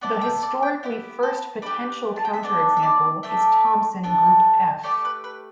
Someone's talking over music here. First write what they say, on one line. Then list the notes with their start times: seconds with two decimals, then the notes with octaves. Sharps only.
The historically first potential counterexample is Thompson group "F".
0.01 B3 E4 A4 D5
0.21 G5
0.43 D5
0.62 G5
0.83 B3 E4 G4
1.23 A4
1.62 D4 G4 B4
2.16 A5
2.25 G5
2.33 E5
2.43 B3 D4 A4 D5
2.77 E5
2.83 D5
3.23 A3 D4 A4 E5
4.03 B3 D4 A4
4.84 A3 G4 D5
5.05 B4
5.24 B4